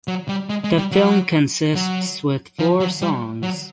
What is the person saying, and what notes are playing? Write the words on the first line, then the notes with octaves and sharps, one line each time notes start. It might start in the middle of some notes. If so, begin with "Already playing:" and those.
The film consists with four songs.
F#3
G3
G#3
G#3
G3
F#3
F#3
F3
F#3
G3
F#3